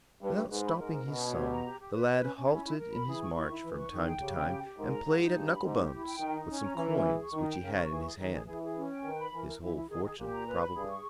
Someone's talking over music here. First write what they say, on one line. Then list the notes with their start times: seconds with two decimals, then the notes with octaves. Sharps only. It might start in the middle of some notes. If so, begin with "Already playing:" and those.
Without stopping his song, the lad halted in his march from time to time, and played at knuckle-bones with some coins which he had in his hand--his whole fortune, probably.
0.22 G2 B4
0.37 B4
0.50 G#2 B4
0.65 B5
0.79 G#2 A#4
0.93 A#4
1.07 B2 C#4
1.21 C#5
1.36 G4
1.50 A#5
1.64 G4
1.79 G4
1.92 B4
2.07 B4
2.21 C#4
2.35 C#4
2.50 E4
2.65 E4
2.78 A#4
2.92 B5
3.07 E3 G#4
3.21 C#6
3.34 D#3 E4
3.49 E4
3.64 E3 B4
3.77 C#6
3.91 D#3 G#4
4.07 G5
4.20 C#3 G4
4.34 G5
4.50 G4
4.63 G4
4.77 G#2 A#4
4.91 A#5
5.05 G#2 D#4
5.19 D#4
5.34 G2 G#4
5.48 B5
5.63 G#2 G4
5.77 G4
5.91 E4
6.06 G5
6.19 D#3 D#4
6.34 D#4
6.48 C#4
6.63 A#5
6.76 E3 C#4
6.91 C#4
7.06 G#4
7.19 C#6
7.33 D#3 D#4
7.48 G5
7.62 C#3 A#4
7.76 C#6
7.90 E3 G#4
8.05 G#4
8.18 D#3 G#4
8.33 G#4
8.47 E3 G#4
8.62 G#4
8.76 C#4
8.89 G5
9.04 D#3 B4
9.19 B5
9.33 E3 A#4
9.47 A#4
9.61 E3 E4
9.75 E4
9.89 D#3 G#4
10.04 G#4
10.18 A#2 G4
10.32 A#5
10.46 B4
10.61 B5
10.75 G2 G#4
10.89 C#6